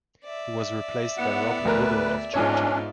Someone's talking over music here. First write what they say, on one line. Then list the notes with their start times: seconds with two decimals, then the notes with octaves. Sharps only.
He was replaced by Rob Woodall of Georgia.
0.24 D5 E5
1.17 A2 B3 F#5
1.65 D2 A#4 B4
2.34 G#2 B3 C#4 D4 F4 C#5